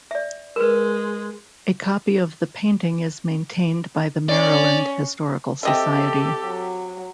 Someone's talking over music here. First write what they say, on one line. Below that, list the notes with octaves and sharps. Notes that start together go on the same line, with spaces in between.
A copy of the painting is maintained by the Maryland Historical Society.
D5 E5
G#3 A#4 B4
C#4 D5
C4 G4 A4 D#5 E5
F#3